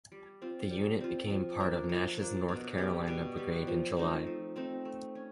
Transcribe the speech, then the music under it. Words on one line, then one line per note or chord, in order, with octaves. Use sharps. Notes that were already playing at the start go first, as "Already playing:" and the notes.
The unit became part of Nash's North Carolina Brigade in July.
G3
C4 F4
G3
C4 F4
F3
A#3 D4
F3
A#3 D4
B2
G3 B3
B2
G3 B3
F3
A3 C4 D#4
F3
A3 C4 D#4
A3
C#4